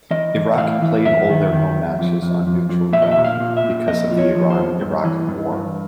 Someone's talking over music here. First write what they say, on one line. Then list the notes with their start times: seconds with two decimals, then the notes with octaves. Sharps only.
Iraq played all their home matches on neutral ground because of the Iran-Iraq War.
0.11 E3 D#5
0.35 E3
0.58 A2 F5
0.82 E3
1.05 F#2 E5
1.29 D#3
1.53 D#3
1.75 F#2
1.99 F2
2.22 F2
2.47 F2
2.69 F2
2.93 A#2 E5
3.02 D#5
3.11 E5
3.17 A#2
3.24 F5
3.40 A#2
3.57 E5
3.64 A#2
3.87 F2 D#5
4.11 F3
4.18 C#5
4.35 F3
4.50 C5
4.57 F2
4.81 G2
5.05 E3
5.28 G2
5.52 G2